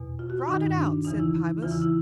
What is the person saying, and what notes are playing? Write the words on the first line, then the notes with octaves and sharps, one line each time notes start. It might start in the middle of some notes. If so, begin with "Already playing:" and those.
"Trot it out," said Pybus.
Already playing: E2 B2
F4
F#4
F4
G2 D#3 D#4
D4
E2 C#3 E3 D#4
E4
E2 C#3 E3 F4
E4
E4